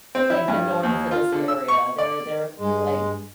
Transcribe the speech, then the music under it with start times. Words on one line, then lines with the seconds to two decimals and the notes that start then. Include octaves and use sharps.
like the norm for this area. They're they're, like
0.15 C4
0.30 E4
0.48 G2
0.83 D#2
1.11 F4
1.32 D3
1.48 E6
1.68 C#6
1.98 D5
2.58 G2 G#3